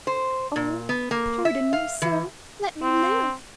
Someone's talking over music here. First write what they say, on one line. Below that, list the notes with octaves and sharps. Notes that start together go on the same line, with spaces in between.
"Oh, pardon me, sir; let me live!"
C5
A#2
B3
A#3
E5
F5
E3
C4